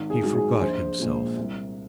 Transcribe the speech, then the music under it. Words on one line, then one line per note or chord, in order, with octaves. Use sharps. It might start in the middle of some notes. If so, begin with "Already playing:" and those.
He forgot himself.
Already playing: G#1
G#4
G#2 F#3
G#4
A#1 C5
A#2 G#3
C2